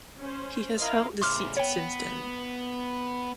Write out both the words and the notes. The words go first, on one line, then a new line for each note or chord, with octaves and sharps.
He has held the seat since then.
C#4 C5
E4 A#4 D#5 F5 C6
A2 C#3 C6 D6 F6
B3 C#5 G5